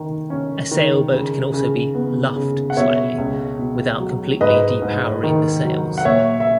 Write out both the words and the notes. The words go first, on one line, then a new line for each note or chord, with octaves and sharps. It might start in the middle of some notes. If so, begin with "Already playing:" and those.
A sailboat can also be "luffed" slightly without completely de-powering the sails.
Already playing: D#3
C#4
D#3
C#3
C#3
B3
C#3
F#5
B2 C#5 E5
C#2
B2
F#3
G#2 B4 D#5
G#2
D#3
F#3
F#5
A#2 C#5 E5
E5